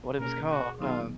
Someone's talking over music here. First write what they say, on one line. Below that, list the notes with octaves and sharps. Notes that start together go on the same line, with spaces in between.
what it was called. Uh,
B2 A#3 C#4 G#4 A#4
F#4
D#3 F#3 B3 D#4 F4 G#4